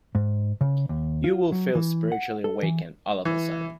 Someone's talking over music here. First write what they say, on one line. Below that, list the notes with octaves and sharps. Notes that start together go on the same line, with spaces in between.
You would feel spiritually awakened all of a sudden.
G#2
C#3
D#2
F4
F#3
E3
F#5
A4
E3
E3